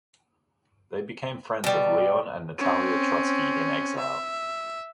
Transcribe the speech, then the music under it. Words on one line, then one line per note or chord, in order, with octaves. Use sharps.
They became friends of Leon and Natalia Trotsky in exile.
B2 G3
C4 C#4
E5